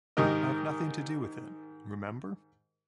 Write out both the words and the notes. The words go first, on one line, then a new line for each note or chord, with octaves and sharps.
I’ve nothing to do with it, remember.
G#2 D#3 G4 A#4 D#5